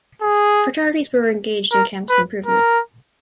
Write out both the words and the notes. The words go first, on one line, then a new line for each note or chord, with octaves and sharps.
Fraternities were engaged in campus improvement.
G#4
A#4
B4
A#4